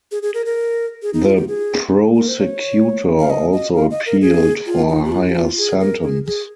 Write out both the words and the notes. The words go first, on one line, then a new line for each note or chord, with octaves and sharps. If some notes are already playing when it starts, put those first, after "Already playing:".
The prosecutor also appealed for a higher sentence.
G#4
G#4
A#4
A#4
G#4
D#4
F4
G4
G#4
A#4
C5
C#5
F5
D#5
D#5
F5
D#5
A#4
G#4
F4
D#4
G4
F4
G4
F4
G#4
A#4
G#4
G#4